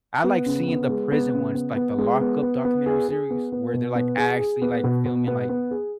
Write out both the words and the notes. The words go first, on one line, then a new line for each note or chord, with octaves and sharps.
I like seeing the prison ones, like the Lockup documentary series, where they're, like, actually, like, filming, like,
B3
C#3
B3
G#3
B3
C#3
B3
B3
G#3
B3
B3
B3
G#4
G#4
B3
B3
B2
B3
G#4
G#4
B3
B2
B2
B3
B3
G#4